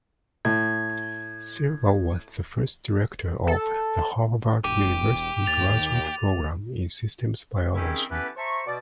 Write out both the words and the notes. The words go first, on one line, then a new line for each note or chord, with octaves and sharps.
Silver was the first Director of the Harvard University Graduate Program in Systems Biology.
A2 G#6
A4
E1 G4 D6 D#7
D#2 A6 F7
D#3 C4 C#4 E4 G4 G#4
E3 B3 C#4 G4 A4 B4
C5 E5 A5 A#5 C#6
B2 D5